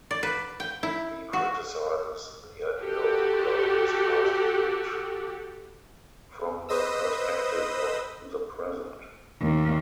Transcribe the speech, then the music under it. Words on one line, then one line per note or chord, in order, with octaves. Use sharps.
He criticizes the idea of a glorious past viewed from the perspective of the present.
D5
B4
G5
E4
F#4
F#4 G4 A4
B4 C5 D#5 D#6 E6
D#2